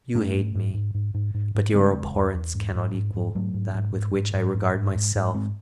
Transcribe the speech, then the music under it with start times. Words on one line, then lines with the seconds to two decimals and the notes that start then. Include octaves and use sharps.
You hate me, but your abhorrence cannot equal that with which I regard myself.
0.15 G#2 A3 C#4
0.34 G#2
0.55 G#2
0.74 G#2
0.94 G#2
1.14 G#2
1.34 G#2
1.55 G#2
1.74 C#3 G#3 C4
1.94 E2
2.14 E2
2.34 E2
2.54 G#2
2.75 G#2
2.94 G#2
3.14 G#2
3.35 G#2 F#3 A3
3.54 G#2
3.74 G#2
3.95 G#2
4.15 G#2
4.34 G#2
4.54 G#2
4.74 G#2
4.95 G#2
5.15 G#2
5.34 G#2 G#3 C4